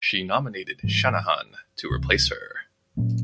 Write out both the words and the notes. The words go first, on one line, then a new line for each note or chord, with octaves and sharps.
She nominated Shanahan to replace her.
G#2 E3 G3
C#2 C3 E3
A#2 F#3 A#3 C#4